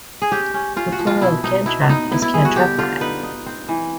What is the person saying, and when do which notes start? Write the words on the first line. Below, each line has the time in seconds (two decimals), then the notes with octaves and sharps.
The plural of "cantref" is "cantrefi".
0.22 G#4
0.32 C#4 G4
0.54 C#4
0.76 C#4 F4
0.92 F#4
0.99 F3
1.07 F4
1.21 B2 E4
1.44 B2 D#4
1.66 B2 E4
1.89 B3 D#4
2.11 B3 E4
2.22 E4
2.34 G3 G#4
2.45 F#4
2.56 D3 G4
2.78 D3 F4
3.01 D#4 B4
3.23 D#4
3.46 C4
3.69 E3